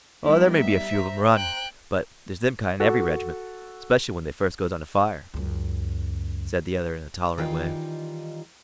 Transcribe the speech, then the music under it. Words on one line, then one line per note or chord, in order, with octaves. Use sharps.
"Oh, there may be a few of 'em run, but there's them kind in every regiment, 'specially when they first goes under fire," said the other in a tolerant way.
G3 A#3 B3 D#4 E4
E5
C5 A#5
G5 F#6
F#4 A4
C#2 F#2
D#3 E3 G3 D#4 F4 G5